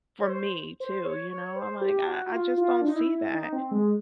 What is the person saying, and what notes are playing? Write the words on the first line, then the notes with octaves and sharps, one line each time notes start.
For me too, you know? I'm like, I I just don't see that,
C#5
C5
C5
C#5
C#5
C5
G4
F#4
F#4
F4
F4
D4
D#4
E4
D#4
C4
G#3